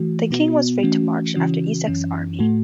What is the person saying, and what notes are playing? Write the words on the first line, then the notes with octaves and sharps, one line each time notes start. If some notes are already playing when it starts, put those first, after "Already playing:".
The King was free to march after Essex's army.
Already playing: E3 A3 F#4
B2 B3 F#4
E3 A3 C#4 F#4
C#3 E3 C#4 F#4
F#2 E3 C#4
A2 A3 F#4